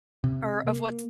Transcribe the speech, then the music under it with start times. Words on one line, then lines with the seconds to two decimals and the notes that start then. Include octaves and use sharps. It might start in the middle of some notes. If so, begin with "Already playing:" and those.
or of what's
0.24 C3
0.67 A#3